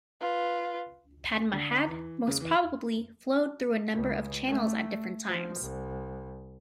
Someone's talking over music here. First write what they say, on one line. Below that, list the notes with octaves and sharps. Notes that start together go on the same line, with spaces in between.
Padma had, most probably, flowed through a number of channels at different times.
F4 B4
D3
E3
C#3
E3
C#2
A3
F3
C2